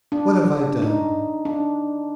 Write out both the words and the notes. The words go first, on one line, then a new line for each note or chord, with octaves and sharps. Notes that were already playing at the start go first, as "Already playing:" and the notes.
What have I done?
D4
D#4
D4